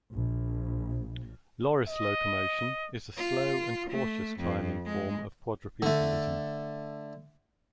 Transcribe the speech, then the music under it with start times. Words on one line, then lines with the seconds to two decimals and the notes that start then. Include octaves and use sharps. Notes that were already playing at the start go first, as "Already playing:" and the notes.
Loris locomotion is a slow and cautious climbing form of quadrupedalism.
0.12 A#1
1.88 D#5
3.17 F4
3.91 A3
4.39 F2
4.86 G#3
5.82 D3 A3